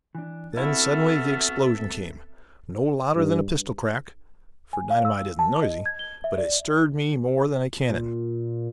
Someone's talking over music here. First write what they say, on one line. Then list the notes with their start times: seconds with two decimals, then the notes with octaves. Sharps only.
Then suddenly the explosion came--no louder than a pistol-crack, for dynamite isn't noisy, but it stirred me more than a cannon.
0.15 E3 D4
0.57 B3 C4 E4 F#4 A4 E5 F6
3.15 G2
4.73 G#5
4.90 F5
5.05 E6
5.39 A5
5.62 D#5
5.86 G#6
5.99 G7
6.24 E5
6.38 D5
7.89 A#2